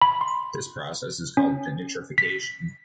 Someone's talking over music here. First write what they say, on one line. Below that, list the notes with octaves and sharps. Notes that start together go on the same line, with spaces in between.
This process is called denitrification.
B5
C6
C#4
B6